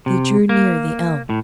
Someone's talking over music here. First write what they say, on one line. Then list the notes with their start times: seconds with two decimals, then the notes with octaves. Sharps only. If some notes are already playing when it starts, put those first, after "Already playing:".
They drew near the elm.
0.06 C3
0.49 A#3
1.30 A2